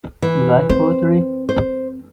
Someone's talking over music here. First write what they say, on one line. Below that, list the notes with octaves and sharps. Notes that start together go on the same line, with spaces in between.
You like poetry?
E3
C4 C5
C5